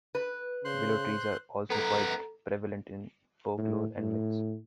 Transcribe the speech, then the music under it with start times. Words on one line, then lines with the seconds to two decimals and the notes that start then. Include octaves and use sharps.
Willow trees are also quite prevalent in folklore and myths.
0.15 B4
0.65 C#3 C5 C6 F#6
1.70 B3 A4 A#4 A#5
3.58 A2
3.98 A2